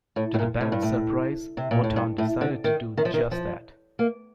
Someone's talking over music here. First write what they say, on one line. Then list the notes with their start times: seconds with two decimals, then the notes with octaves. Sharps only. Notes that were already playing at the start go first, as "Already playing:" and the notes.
To the band's surprise, Motown decided to do just that.
0.16 A2
0.34 A2
0.39 A#2
0.61 A2
0.72 G2
0.82 A2
1.57 C3
1.71 A#2
1.84 A2
1.96 G2
2.18 A2
2.41 D3
2.64 D#3
2.97 D#3
3.05 F3
3.13 D#3
3.31 F3
3.99 A#3